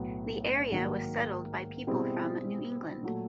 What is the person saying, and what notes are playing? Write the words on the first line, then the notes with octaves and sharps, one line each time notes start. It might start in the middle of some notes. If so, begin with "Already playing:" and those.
The area was settled by people from New England.
Already playing: B1 A2 F#3 B3
G#2 D#3 F#3 A#3
B2 G3 C4 E4 G#4
A#2 F#3 A3